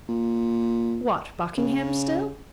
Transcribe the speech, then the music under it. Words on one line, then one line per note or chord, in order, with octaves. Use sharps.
"What, Buckingham still?"
A#2
C#3